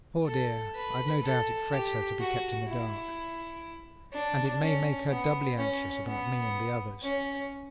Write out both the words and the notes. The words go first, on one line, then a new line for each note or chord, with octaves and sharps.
Poor dear, I've no doubt it frets her to be kept in the dark, and it may make her doubly anxious about me and the others.
A4
B4
A4
G4
F#4
E4
D4
C#4
B3
C#4
B3
C#4